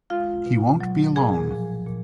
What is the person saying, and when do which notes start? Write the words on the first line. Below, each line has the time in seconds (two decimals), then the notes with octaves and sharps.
He won’t be alone.
0.10 G#3 F4 F5
0.46 B2
0.80 F#3
1.16 A#2 G#4 G#5
1.51 F3
1.86 A#2